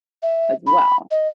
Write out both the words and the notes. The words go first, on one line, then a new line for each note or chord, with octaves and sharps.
as well.
E5
B5
D#5